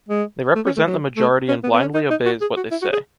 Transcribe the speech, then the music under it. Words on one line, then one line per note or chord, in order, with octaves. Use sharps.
They represent the majority and blindly obeys what they say.
G#3
A3
C#4
A3
F#3
A3
C#4
B3
B3
C#4
D#4
D#4
F#4
G#4
F#4
E4
F#4
G#4